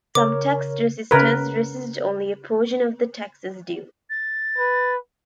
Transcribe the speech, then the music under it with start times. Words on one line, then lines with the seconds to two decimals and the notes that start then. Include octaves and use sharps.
Some tax resisters resist only a portion of the taxes due.
0.15 C#3 A#4 C#5 D6
1.11 C#3 A#4 B4
4.10 A6
4.58 B4